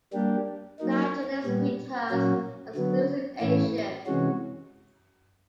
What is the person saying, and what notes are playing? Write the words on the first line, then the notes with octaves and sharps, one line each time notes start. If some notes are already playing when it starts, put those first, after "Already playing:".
The "Hydrornis" pittas are exclusively Asian.
G3 A#3 D4 G4
F#3 A#3 D#4
A#2 G3 B3
A#2 F#3 A#3 C#4 F#4
D3 F#3 B3
A2 E3 A3 C#4 E4
C3 E3 G#3 C#4 F#4